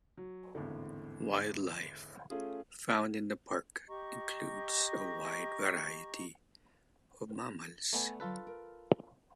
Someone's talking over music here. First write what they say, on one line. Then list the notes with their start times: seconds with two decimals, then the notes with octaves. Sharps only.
Wildlife found in the park includes a wide variety of mammals.
0.17 F#3
0.55 G#1 E2 A2 D3
2.30 A3 C#4 F4 G#4
3.88 G4 D#5 A#5 C#6
7.93 A3 B3 C5 D5 G#5
8.20 D3 F#3 F4 A4 B4
8.47 A#4